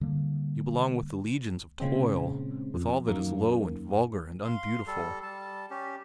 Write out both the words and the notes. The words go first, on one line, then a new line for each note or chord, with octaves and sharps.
You belong with the legions of toil, with all that is low, and vulgar, and unbeautiful.
D3 G3 A#3
A#2 C#3 G#3 C4
F2
F#2 D#3 A#3
F5 C6
G3 A4
G3 A5
C#4 G4